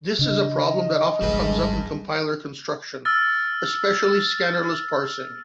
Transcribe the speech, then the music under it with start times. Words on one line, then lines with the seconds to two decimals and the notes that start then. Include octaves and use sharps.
This is a problem that often comes up in compiler construction, especially scannerless parsing.
0.19 C#3 D4 D#5
1.22 G#1 C#2 F3 G3 G#3 B4
3.05 E6 F6 A6